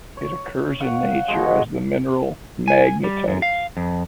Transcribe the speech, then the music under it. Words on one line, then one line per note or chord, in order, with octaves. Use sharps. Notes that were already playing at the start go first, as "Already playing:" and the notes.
It occurs in nature as the mineral magnetite.
C#5
C#5 F5 F#5
B2 D#3 F#3 G#3
G#5
G3
F#2
F5
F2